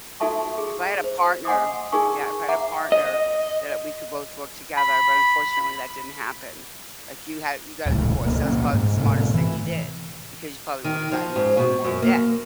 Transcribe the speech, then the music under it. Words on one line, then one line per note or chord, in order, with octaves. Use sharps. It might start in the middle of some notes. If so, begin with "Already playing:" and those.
If I had a partner Yeah, if I had a partner, that, uh, we could both work together, but unfortunately that didn't happen. Like, you had you got a divorce, that was probably the smartest thing you did, because you probably would have gotten more and more in debt,
D#4 F#4 A4 E5 A5 C#6
G#4
C5
D#5 F#5 G#5 C6 D6 D#6
D#4 G#4 A#4 G#5 C#6
E5 F#5 A#5 D6
D#5
B5
D#1 C#2 A2
C#2 B2 A3 A#3
A#1 G#2 A#3 C#4
G#2
A2 C3 A3
E3
D#3
F3
G#2
B2
F#2
A#3